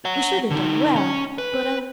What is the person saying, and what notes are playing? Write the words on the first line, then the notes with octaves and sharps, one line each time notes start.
We should have done well, but alas!
C#5 F#5
D3 D#4
C#4
B4